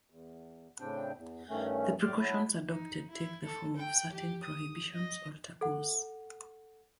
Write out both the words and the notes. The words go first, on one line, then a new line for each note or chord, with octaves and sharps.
The precautions adopted take the form of certain prohibitions or taboos.
E2
A2 C#3 C4 D4 G5
E2
G2 D#3 A3 C#4
A2 G4 D5 C6 D6 F6
F#3 E4 A5 B5
D#4
E4
A4
G5
G4
D#6
D#5
A4 F#5